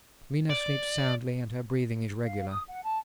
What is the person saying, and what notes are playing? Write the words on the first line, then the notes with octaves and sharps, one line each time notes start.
Mina sleeps soundly and her breathing is regular.
D5
F5
D#6
F#5
A5